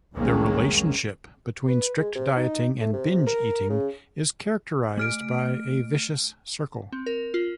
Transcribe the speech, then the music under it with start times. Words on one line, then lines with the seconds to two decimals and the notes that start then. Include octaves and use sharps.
The relationship between strict dieting and binge eating is characterized by a vicious circle.
0.14 F1 C2 D#3 G#3 A#3 C#4
1.68 B4
1.99 G#3
2.15 C3
2.37 D#4
2.81 A3
2.93 C3
3.27 A#4
3.70 C#3
4.98 A3 F6 D7
6.92 C4
7.06 A#4
7.34 F4